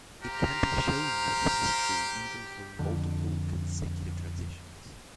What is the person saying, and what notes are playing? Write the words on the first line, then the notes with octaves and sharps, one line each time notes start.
It can be shown that this is true even for multiple consecutive transitions.
G4 C5 F5 A#5 F6
F2 D3